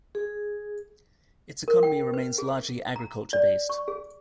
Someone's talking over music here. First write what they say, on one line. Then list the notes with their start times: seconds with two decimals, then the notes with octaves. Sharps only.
Its economy remains largely agriculture-based.
0.15 G#4
1.68 A#4
1.83 G5
2.14 B4
2.38 G#4
2.96 A#5
3.33 D5
3.69 C#6
3.88 G#4